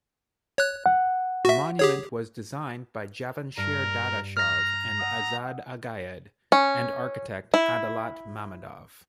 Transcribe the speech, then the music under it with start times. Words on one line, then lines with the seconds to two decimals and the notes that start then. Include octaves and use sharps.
The monument was designed by Javanshir Dadashov and Azad Agayed, and architect Adalat Mammadov.
0.58 C#5 F#6
0.86 F#5
1.45 F#4 E5
1.79 G4 G#4 C#5
3.57 G2 A#4
4.37 A#5 F6 A#6
4.98 F#5 D#6 E6
6.52 C#4
7.54 E4